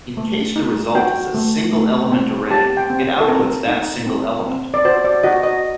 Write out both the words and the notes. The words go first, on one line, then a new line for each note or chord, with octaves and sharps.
In case the result is a single-element array, it outputs that single element.
A3
D#4
F#4 G5
A3
A3
C4
G4 A5
G5
C4
A4
C4 A#4
D#4
C4
C4
D5
F#4 C5
D5
F#4 D#5
D#5